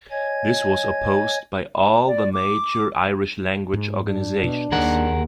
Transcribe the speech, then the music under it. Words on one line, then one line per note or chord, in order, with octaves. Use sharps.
This was opposed by all the major Irish language organisations.
C#5 D#5 G#5 G#6
D5
D6
G#2
D4
B2
D#2 D#3 G#4 A#4 F#5